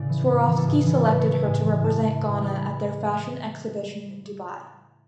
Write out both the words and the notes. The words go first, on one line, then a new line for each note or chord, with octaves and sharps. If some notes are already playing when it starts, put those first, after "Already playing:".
Swarovski selected her to represent Ghana at their Fashion Exhibition in Dubai.
Already playing: A2 C#3 D5
E3
A2
E3
A4
A2 G#4
G#4
E3
A4
A2 B4
C#5
E3
E5
A2 G#5
E3
A2 A5
E3
A2
E3
B5